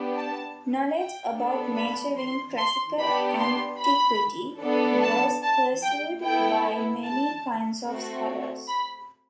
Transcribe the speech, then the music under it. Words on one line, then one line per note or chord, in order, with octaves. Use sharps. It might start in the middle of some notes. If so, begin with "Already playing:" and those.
Knowledge about nature in Classical Antiquity was pursued by many kinds of scholars.
Already playing: B3 D4 G4
A5
G5
B3 D4 A4
B5
C6
C6
B3 D4 G4 B5
C6
B5
B3 D4 A4
A5
A5
G5
B3 E4 A4 G5
A5
A3 C4 F#4
B5